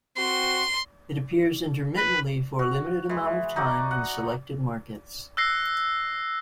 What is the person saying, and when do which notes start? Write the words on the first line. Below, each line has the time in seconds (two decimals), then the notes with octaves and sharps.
It appears intermittently for a limited amount of time in selected markets.
0.17 C4 F#4 C6
1.97 B4
2.59 F#4
3.09 E3 G#3
3.56 D#4 F#4 D5 A#5
3.91 F#5
5.37 E6 F#6 A#6 C7